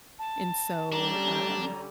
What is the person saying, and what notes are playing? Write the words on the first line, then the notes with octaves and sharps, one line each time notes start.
and so, um,
A5
D3 G3 C#4 D4 A#5